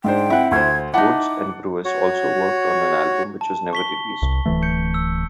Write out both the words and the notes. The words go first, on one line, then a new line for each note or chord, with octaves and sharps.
Woods and Brewis also worked on an album which was never released.
G#2 D4 C5 G5
C4 E4 F#5
D2 C5 G#6
D#4 E4 F#5 A5 D6
F#4 C#5
A5
C#6 B6 G7
C2
D1 E3 A3
G6 C#7
E6